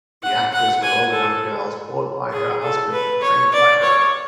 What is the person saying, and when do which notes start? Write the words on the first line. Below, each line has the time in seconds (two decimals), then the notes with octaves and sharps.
The actors were all young girls bought by her husband and trained by her.
0.23 F#5
0.52 F#5
0.83 G#5
1.12 A4
2.33 G#4
2.62 A4
2.92 B4
3.22 C#5
3.53 D5
3.82 C#5